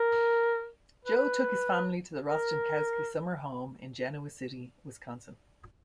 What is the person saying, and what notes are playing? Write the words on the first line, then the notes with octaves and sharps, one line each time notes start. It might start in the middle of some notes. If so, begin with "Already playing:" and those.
Joe took his family to the Rostenkowski summer home in Genoa City, Wisconsin.
Already playing: A#4
B4
A#4